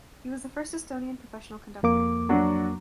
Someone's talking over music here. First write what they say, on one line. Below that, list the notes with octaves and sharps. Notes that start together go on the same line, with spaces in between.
He was the first Estonian professional conductor.
F2 A#3 D6
F#3 D4 F#4